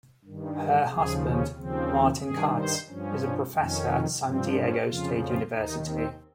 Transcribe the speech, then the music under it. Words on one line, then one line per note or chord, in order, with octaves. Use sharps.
Her husband, Martin Katz, is a professor at San Diego State University.
G2 D#3
D#2 C#3 F3 G#4
C#4
D#2 C#3 F3 C4
G2 D#3 G#4
C5
G2 F3 C#4
F2 D#3 C#4
G2 F3 C4
C#4
F2 C#3 F3 F4
F4
D#2 D#3 D#4
C4